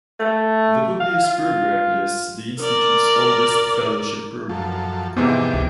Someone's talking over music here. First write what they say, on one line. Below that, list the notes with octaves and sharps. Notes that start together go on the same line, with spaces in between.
The Publius program is the Institute's oldest fellowship program.
A3
F5
F4
A#4 D5
F#2 F3 A4
F2 G#2 C3 E3 B3 G4 D6
C#2